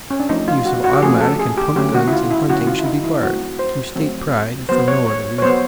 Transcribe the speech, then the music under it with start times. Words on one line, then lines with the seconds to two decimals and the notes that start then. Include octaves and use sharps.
The use of automatic and pump guns in hunting should be barred,--through state pride, if for no other reason.
0.10 C#4
0.20 D4
0.29 F3 A3 C#4 D#4
0.48 F4
0.66 F#4
0.84 F#4
0.93 G4
1.02 F3 A3 C#4 G#4
1.21 A4
1.39 G#4
1.57 G4
1.76 D3 F#3 A3 C#4 G4
1.94 F#4
2.08 E4
2.13 F4
2.31 E4
2.49 D3 F#3 A3 C#4 F#4
2.67 F4
2.79 E4
2.86 D#4
3.04 E4
3.22 F#3 A3 C4 F#4
3.59 C5
3.96 F#3 A3 C4
4.69 F#3 B3 C5
4.88 C#5
5.06 C#5
5.38 C#5
5.42 F#3 B3 C5